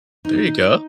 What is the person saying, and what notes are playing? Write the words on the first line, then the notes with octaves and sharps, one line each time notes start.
There you go.
D#4